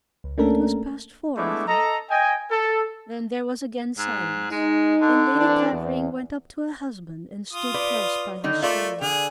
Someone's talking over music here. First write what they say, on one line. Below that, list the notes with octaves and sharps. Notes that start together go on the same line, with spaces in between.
"It was past four, I think." Then there was again silence, and Lady Clavering went up to her husband and stood close by his shoulder.
C#2
A3 A#3 C#4 D4 A4 A#4
G#3 A3 B3 D4 E4 D6
A4 D#5 A#5
D#5 G5 G#5
A4
G#2
G#3 D#4
D3
E3 C4 D4
E2
F4 D#6
B4 D5
D3 D#3 D#4
A3 F4 A#4 D5
D3 G#4